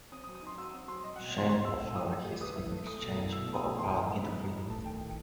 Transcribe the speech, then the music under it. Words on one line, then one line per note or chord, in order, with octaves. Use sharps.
Shane offered his in exchange for a part in the film.
C4 D#6
D#6
F#3
D#6
D#4 C6
F#4 E6
C4
F#3 C6
F#3 D#5
F#5
B2
B3 C6
B2 C6
F#3 E6
B2 E6
E4 D#6
A3
G4
B4 D#6
E4
A3
A3 D#6
B2
E4
B2 E6
A3
D#6
B2
E3 C6
A2
B3
D#4 B5
E3
A2
A3 A5
D#3 G5
E4